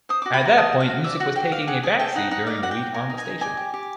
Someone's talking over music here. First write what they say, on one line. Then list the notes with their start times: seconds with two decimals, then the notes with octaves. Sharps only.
At that point music was taking a backseat during the week on the station.
0.09 C5 D#6
0.22 D6
0.26 F#4
0.34 B5
0.41 F#4 A#5
0.57 D#5 A5
0.73 F#4
0.80 F5
0.89 F#4
1.04 D5 E5
1.20 F#4 F#5
1.36 F#4 G5
1.52 D5 F5
1.68 G#4 F#5
1.83 G#4 G#5
1.99 A4 G5
2.15 D#4 F#5
2.31 D#4 F#5
2.46 D5 F5
2.63 F#4 F#5
2.71 G5
2.78 F#4
2.94 A#4 G#5
3.10 D#4
3.18 G#5
3.26 D#4
3.41 D5 G#5
3.57 G4
3.74 G4